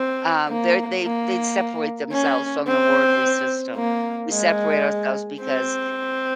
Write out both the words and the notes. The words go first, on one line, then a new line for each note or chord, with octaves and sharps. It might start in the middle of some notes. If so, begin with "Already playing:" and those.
um, they're they they separate themselves from the worldly system. We separate ourselves, because
Already playing: C4
A#3
A#3
C#4
C4
A#3
G#3
C4